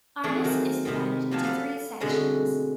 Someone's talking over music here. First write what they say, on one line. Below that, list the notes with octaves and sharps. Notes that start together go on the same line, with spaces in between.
Ardas is divided into three sections.
E3 A3 C4 G#4 C#5 D5
D#3 F#3 C4
C3 D#3 B3 C4
F3 F#3 G4 F5 G#5 A5
A4 B4 D5 F5 F#5
B2 D3 G#3 A3 C4 C#4